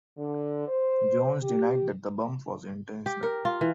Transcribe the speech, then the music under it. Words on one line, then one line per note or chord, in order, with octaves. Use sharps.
Jones denied that the bump was intentional.
D3
C5
G4
G4
A#4
F4
E3